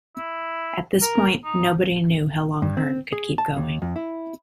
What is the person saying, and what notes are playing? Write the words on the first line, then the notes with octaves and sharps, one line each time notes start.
At this point, nobody knew how long Hearne could keep going.
E4
A#4
D#4
G2
C4
G#4
A5
D#2
F2
E4